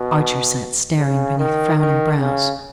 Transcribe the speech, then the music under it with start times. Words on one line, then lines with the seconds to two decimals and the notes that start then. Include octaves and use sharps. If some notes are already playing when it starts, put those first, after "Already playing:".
Archer sat staring beneath frowning brows.
Already playing: B2
0.98 C#3
1.38 D#3
1.77 D#3
2.19 C#3